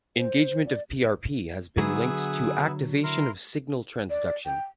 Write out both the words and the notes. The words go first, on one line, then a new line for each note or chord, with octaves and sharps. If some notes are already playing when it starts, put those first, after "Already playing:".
Engagement of PrP has been linked to activation of signal transduction.
C5
D5
D3 F#3 B3 G#4 B4 E5
E4 A#4 C6
D5
G5